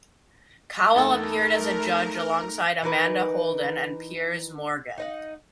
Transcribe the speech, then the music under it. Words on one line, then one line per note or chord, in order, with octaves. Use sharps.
Cowell appeared as a judge alongside Amanda Holden and Piers Morgan.
E2 A3 D#4 A4 A#4
E3 D#4 A#4 B4
D#4 D#5 F#5